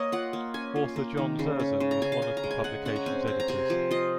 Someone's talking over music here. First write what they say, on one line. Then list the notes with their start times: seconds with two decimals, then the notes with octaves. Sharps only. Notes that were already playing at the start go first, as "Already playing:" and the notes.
Author John Zerzan was one of the publication's editors.
Already playing: A#3 C#5 D#5
0.12 F4 F#5
0.33 A#3
0.54 C#4 G#5
0.76 F4
0.96 A#3
1.17 D#3
1.39 C#3
1.60 C#4
1.80 C#3
1.91 A#5
2.02 C#3 G#5
2.12 F5
2.22 C#3 G#5
2.37 A#5
2.44 G#3
2.51 G#5
2.64 C#3 F#5
2.85 C#4 F#5
2.96 A#5
3.06 C4 G#5
3.27 C4
3.40 A#5
3.48 C3 G#5
3.70 F3
3.91 F4 D#5